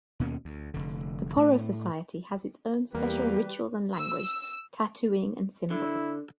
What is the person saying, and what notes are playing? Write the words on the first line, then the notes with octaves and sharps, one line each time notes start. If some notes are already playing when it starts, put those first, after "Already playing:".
The Poro society has its own special rituals and language, tattooing and symbols.
D#2 B2 A#3 C#4
D2
F1 D3
A2 A3
E2 G3 A#3 G4 B4
E6
D3 E4